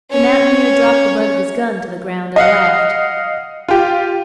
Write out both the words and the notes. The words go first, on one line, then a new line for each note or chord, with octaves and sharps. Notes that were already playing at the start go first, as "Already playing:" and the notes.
The mountaineer dropped the butt of his gun to the ground and laughed.
C#4 C#5
D#5 F5 F#5
F4 G4